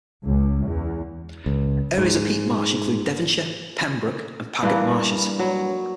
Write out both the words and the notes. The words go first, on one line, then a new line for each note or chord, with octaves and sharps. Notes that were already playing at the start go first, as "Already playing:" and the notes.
Areas of peat marsh include Devonshire, Pembroke, and Paget marshes.
C#2
E2
C#2
G#2
G2 E3 A#3
F#3